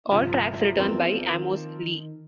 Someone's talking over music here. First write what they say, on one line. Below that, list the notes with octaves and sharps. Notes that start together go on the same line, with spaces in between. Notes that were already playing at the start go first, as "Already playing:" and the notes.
All tracks written by Amos Lee.
G1 C3 F3
E2 F3 A#3 C4
D#3